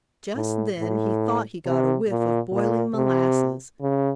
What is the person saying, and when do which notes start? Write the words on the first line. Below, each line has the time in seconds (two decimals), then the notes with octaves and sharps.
Just then he thought he got a whiff of boiling molasses.
0.36 A2
0.79 A2
1.66 C3
2.09 A#2
2.52 A#2
2.94 C3
3.81 C#3